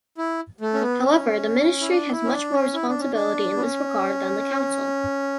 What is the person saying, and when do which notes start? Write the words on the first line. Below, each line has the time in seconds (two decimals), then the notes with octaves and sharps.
However, the ministry has much more responsibility in this regard than the council.
0.18 E4
0.61 A3
0.74 C#4
0.81 B3
1.03 C#4
1.81 E4
1.89 D4
2.11 E4
2.25 C#4
2.32 D4
2.54 C#4
2.74 E4
2.88 D4
2.99 C#4
3.13 D4
3.56 B3
3.60 C#4